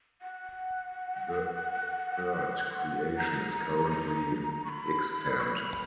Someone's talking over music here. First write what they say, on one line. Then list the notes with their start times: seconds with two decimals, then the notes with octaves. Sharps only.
The third creation is currently extant.
0.22 F#5
3.17 A#5
3.91 A#5
4.65 C#6
4.69 B5
5.39 C#6
5.43 B5